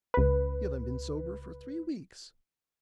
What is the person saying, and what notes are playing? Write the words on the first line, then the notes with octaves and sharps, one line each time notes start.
You haven't been sober for three weeks.
C#2 B4